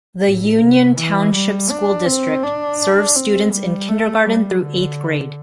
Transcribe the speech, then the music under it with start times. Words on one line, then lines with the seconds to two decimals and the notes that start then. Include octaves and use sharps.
The Union Township School District serves students in kindergarten through eighth grade.
0.25 A2
0.62 C3
0.97 E3
1.34 G3
1.70 D4
2.06 C4
2.43 D4
3.15 C4
3.52 G3
3.89 A3
4.25 G3
4.61 D3